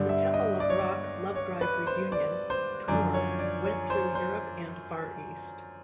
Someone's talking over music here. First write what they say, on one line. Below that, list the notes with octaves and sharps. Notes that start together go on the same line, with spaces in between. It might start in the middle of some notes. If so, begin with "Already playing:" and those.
The "Temple of Rock - Lovedrive Reunion" tour went through Europe and Far East.
Already playing: G2 D3 G3
E5
D#5
D5
C#5
D5
C#5
B4
C5
D5
C5
F#2 D3 F3 D5
C#5
D5
C#5
C5
C5